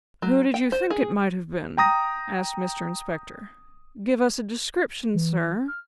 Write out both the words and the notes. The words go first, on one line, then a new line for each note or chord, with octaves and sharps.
'Who did you think it might have been?' asked Mr Inspector. 'Give us a description, sir.
F#3
G5
C5
G#4
G5 A#5 D#6 A#6
E3
F6